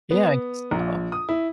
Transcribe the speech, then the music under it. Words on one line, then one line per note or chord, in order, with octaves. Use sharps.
Yeah, I guess so.
B3
A#1
D#6
E4